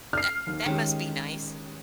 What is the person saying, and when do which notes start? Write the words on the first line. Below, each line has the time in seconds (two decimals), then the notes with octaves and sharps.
That that must be nice.
0.13 F6 C7
0.47 D#2 D#3
0.66 D#3 G#3 C#4 G4